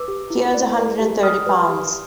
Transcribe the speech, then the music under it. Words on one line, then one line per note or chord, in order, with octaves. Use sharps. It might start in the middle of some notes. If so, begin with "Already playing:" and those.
He earns a hundred and thirty pounds.
Already playing: B4 D6 E6
G4
E4
D5
B4
G4
D5 D#6 F6
B4
G4